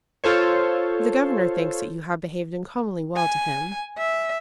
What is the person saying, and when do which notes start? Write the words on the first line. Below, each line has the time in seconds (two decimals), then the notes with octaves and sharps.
"The governor thinks that you have behaved uncommonly well to him."
0.24 F4 A4 C5 C#5
3.16 G#5
3.98 E5